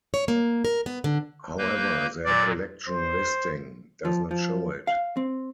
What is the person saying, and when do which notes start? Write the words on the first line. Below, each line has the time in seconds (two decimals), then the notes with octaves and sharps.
However their collection listing does not show it.
0.14 C#5
0.28 A#3
0.65 A#4
0.86 B3
1.04 D3
1.58 A#3 B4 G6
2.25 A#2 F#3 D5
2.87 C5
4.05 F3
4.31 F3
4.87 F5
5.17 C4